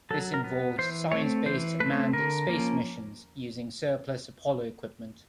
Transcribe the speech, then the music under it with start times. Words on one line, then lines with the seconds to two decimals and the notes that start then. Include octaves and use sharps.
This involved science-based manned space missions using surplus Apollo equipment.
0.11 F#3 A4
0.34 A#4
0.44 B3
0.78 E3 C5
1.12 A3 C4 C#5
1.46 E3 C5
1.80 A3 C4 B4
2.13 D3 A#4
2.47 F3 A#3 C#4